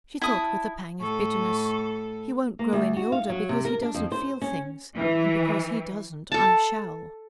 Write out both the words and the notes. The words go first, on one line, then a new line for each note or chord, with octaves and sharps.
She thought with a pang of bitterness: "He won't grow any older because he doesn't feel things; and because he doesn't, I SHALL..."
E4 A5 D#6
A2 A4 C#6
A#3
D2
F#4
F5
F#3
C3
A#4
D4
F2
C5
C#4
E3
A4 A5